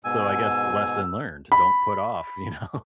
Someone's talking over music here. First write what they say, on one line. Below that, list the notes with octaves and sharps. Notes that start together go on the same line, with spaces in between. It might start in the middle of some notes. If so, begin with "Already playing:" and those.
so I guess lesson learned, don't put off, you know,
G#2 B2 G#5 E6
B5